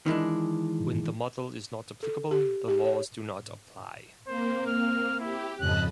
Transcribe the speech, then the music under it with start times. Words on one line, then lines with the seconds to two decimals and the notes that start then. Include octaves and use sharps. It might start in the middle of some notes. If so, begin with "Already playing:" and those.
When the model is not applicable, the laws do not apply.
0.06 D#3 E3 G#3 D4
2.03 A4
2.31 G4
2.68 G4
2.84 C#5
4.27 A#3 C4 C5
4.67 F6
5.20 E4 G4
5.60 F2 G#2 C#3 D#5 A5 B5 F#6